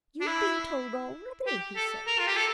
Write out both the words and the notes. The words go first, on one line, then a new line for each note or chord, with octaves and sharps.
'You have been told already?' he said.
D4
E4
G4
A4
A#4
F4
G4
A4